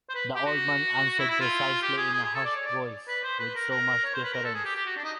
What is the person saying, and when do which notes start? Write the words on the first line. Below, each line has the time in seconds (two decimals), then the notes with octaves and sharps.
The old man answered precisely in a hushed voice, with so much deference.
0.09 C5
0.15 B4
0.35 G4
0.46 F#4
1.19 E4
1.30 E4
1.40 F4
1.82 G4
1.98 G#4
2.13 G#4
2.24 G#4
2.34 A4
2.45 D5
2.56 C#5
2.66 D5
3.08 B4
3.24 C5
3.39 B4
3.55 A#4
3.71 A#4
4.05 C#5
4.14 C5
4.24 B4
4.33 A#4
4.44 A4
4.54 G#4
4.65 G4
4.75 G4
4.86 F#4
4.97 D4
5.04 D#4